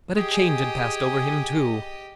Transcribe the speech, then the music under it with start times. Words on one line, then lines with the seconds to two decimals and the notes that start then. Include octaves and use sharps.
But a change had passed over him, too.
0.16 G4 G#4 D#5